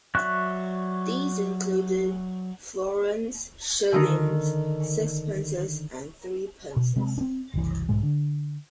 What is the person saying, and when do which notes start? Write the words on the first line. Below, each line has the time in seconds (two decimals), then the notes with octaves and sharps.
These included florins, shillings, sixpences and threepences.
0.15 F#3 D5 E5 C#6 F#6
3.92 D3 D#3 D#4
6.76 B2
6.96 C3 G#3 C4
7.18 C4 D4
7.54 F#1 C2 E3
7.89 B1 G#2 G#3
8.03 D3